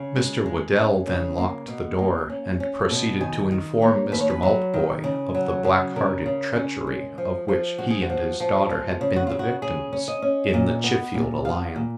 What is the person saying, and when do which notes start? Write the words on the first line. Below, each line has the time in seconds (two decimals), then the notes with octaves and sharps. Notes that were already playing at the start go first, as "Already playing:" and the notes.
Mr. Whedell then locked the door, and proceeded to inform Mr. Maltboy of the black-hearted treachery of which he and his daughter had been the victims, in the Chiffield alliance.
Already playing: C#3
0.16 G#3
0.46 G#3
0.77 C#4
1.07 C#3
1.38 A#3
1.68 B2
1.99 A#3
2.30 C#4
2.60 C#4
2.91 B2
3.21 D#3 G#5
3.52 D#3
3.82 A#3 C#5
4.12 D#2 B4
4.20 C#5
4.30 B4
4.43 F#3
4.74 D#3
5.04 C#3
5.35 F#3
5.64 C#3
5.96 C#3 A#4
6.26 C#3
6.57 C#4
6.87 G#3
7.18 F3
7.48 F3
7.78 G#3 F#4
7.90 G#4
8.02 F#4
8.10 F3
8.40 F3
8.70 G#3 F4
9.01 C#3
9.16 F#4
9.27 C#3 F4
9.39 F#4
9.62 C#3 G#4
9.93 C#4
10.08 D#5
10.22 C#4
10.54 A#2
10.84 B3
11.14 A#2
11.45 B3 F5
11.76 A#2